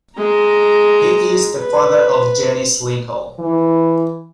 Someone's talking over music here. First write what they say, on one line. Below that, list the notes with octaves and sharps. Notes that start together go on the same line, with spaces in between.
He is the father of Janice Lincoln.
G#3 A#5
B4
E3